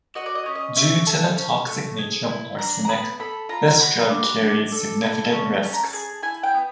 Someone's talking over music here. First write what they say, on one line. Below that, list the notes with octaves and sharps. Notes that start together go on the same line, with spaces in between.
Due to the toxic nature of arsenic, this drug carries significant risks.
F#4 D#5
D5
D#5
C#4
D#5
C#4 E5
A4 A5
C#4
A3
G#4
E4
D4 A#5
A#5
B3 B5
A4 B5
F4 A#5
F#4 B5
D4
D4
A4
E4
C#4
C#4 A5
A#5
A5
G#4
E4 G#5
G5
B3